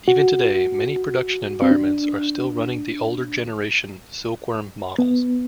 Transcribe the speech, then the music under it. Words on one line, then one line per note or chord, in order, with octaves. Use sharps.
Even today, many production environments are still running the older generation Silkworm models.
F#4
C4
D4
B3